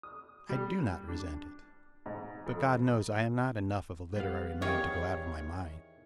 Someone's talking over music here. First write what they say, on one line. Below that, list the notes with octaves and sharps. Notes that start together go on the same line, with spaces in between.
I do not resent it: but God knows I am not enough of a literary man to go out of my mind.
D#6
G3
D4
G#2
F2
G3 B3 F5
E2 D#3 E4 G4 C#5 F5